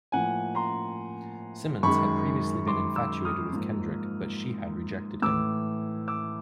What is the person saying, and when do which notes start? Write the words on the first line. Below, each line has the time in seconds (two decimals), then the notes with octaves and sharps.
Simmons had previously been infatuated with Kendrick, but she had rejected him.
0.12 A2 F3 A#3 F#5 G#5
0.55 A#5 C6
1.83 F#2 D#3 G#3 B5 C#6
2.67 C6 D6
2.96 D6 E6
3.25 D#6 F6
3.53 G#2 F3 A#3
5.22 A2 E3 A3 D6 E6
6.08 D6 E6